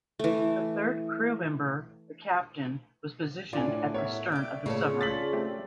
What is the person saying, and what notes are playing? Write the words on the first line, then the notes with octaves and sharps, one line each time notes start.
The third crew member, the captain, was positioned at the stern of the submarine.
E3 A3
A2 E3 D4 F4 D5 G#5
B3 A#4 C#5 E5
D5 G5
A2 C#3 A#3 F4 G#4 A4 C#5 D5
A6 B6 F#7
A3 C4 G4